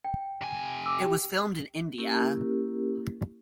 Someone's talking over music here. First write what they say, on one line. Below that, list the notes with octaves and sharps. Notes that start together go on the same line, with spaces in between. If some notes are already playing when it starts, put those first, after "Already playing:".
It was filmed in India.
G5
C3 G#5
D6 E6
G4 G5
A#3 C#4 E4 G4 A#4